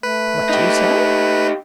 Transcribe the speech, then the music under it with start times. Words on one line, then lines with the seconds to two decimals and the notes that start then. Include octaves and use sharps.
"What do you say?"
0.03 A3 B4
0.49 D#4 G4